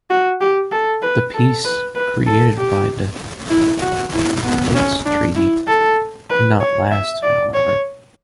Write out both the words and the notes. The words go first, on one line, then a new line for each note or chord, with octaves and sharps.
The peace created by the Bates Treaty did not last, however.
F#4
G4
A4
B4
A4
B4
B4
A4
G4
E4
F#4
E4
B3
C#4
D4
E4
A4
B4
C#5
E5
D5
C#5